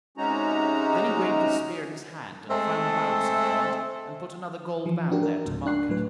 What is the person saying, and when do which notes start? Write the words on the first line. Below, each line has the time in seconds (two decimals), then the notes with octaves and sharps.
Then he weighed the spear in his hand and found the balancing point and put another gold band there to mark it.
0.18 C3 G#3 C#4 D#4 F#4 A#5
2.48 G#3 A3 C4 A4
4.86 E3 F3
5.11 D4 F#4 G4 A#4
5.23 A#4
5.45 C#2 G#2
5.66 D4 F#6 C7
5.89 A2 F#3 B4